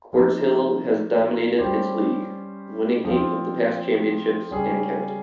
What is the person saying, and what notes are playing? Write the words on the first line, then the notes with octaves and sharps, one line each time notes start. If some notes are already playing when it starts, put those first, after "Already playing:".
Quartz Hill has dominated its league, winning eight of the past championships, and counting.
F3 A#3 D#4
G3 C#4 G4 C5
F3 C4 F4
C#3 G3 C#4 G#4